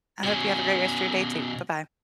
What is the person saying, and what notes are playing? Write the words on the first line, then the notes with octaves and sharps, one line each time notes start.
I hope you have a great rest of your day too, bye-bye.
B2 C#4